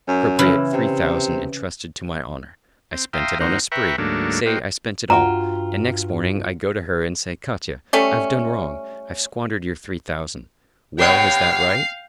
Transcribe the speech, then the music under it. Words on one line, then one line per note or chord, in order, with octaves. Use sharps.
I appropriate three thousand entrusted to my honor, I spend it on a spree, say I spend it all, and next morning I go to her and say, 'Katya, I've done wrong, I've squandered your three thousand,' well, is that right?
F#2
C#3 E3 E4
C3
C4
E5 F5 G5 A#5 C6 D#6
D#2 C4 D#4 A#4 C5 F#5
B4 E5 G5 A#5 B5 C#6
D2 G#2 F#3 A3 A#3 D4
A#3 F#4 C5 D#5 G5
G2 F4 F#4 G5 A#5
G3 A3 C#4
C3 B3 C#5 F5 G5 C7